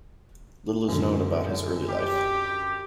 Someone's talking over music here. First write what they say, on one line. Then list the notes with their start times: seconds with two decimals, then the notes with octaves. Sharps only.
Little is known about his early life.
0.88 F#2 D3
1.89 G4